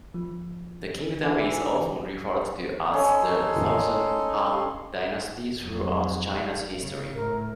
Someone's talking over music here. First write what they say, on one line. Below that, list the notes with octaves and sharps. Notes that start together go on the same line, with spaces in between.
The kingdom is often referred to as the Southern Han Dynasty throughout China's history.
F3
D2 E3 D4 G#5
C#4 D#4 A4 C6
F2 F#3
C#3
A2 A#4